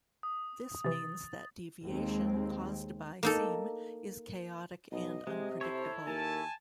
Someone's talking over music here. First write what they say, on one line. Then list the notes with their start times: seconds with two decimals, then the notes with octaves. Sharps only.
This means that deviation caused by seam is chaotic and unpredictable.
0.23 D#6
0.84 C3 E3 A6
1.83 D#2 G#3 C4
3.23 A#3 D#4 A4
4.92 B1 D#5
5.27 C3 G#3
5.61 E4 A4 C5 C#5
6.06 D#2 A#4 G#5 A5